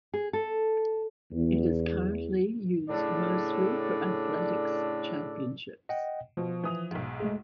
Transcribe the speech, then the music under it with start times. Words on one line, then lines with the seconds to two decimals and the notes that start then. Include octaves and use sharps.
It is currently used mostly for athletics championships.
0.14 G#4
0.33 A4
1.32 E2
2.89 A2 C#3 D4 A4 D5
5.89 D#5 F#5 G5
6.37 B2 F3
6.64 E3 D#6 F7
6.91 B1 G#2
7.20 G#3 A3 G#4